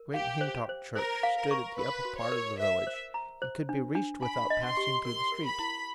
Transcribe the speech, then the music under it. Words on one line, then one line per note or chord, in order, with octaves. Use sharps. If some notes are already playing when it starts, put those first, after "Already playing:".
Great Hintock church stood at the upper part of the village, and could be reached without passing through the street.
Already playing: A#4
G4 F5
C5
C5
A#4 C5
F5
A#4
C#6
A#4 B4
F#4
C#5
A#4
C5 E5
C5
A#5
C5
D4
D4
G#5 B5
D#5
C6
G4
A#4 C6
A#4
B5
E4